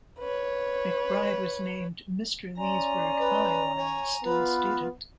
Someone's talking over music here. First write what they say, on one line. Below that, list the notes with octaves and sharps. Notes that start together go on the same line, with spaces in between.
McBride was named Mr. Leesburg High while still a student.
B4 C#5
C#4 D5 G#5 A#5 C6
B4
C#5 G#5 C#6
B3 F4 B4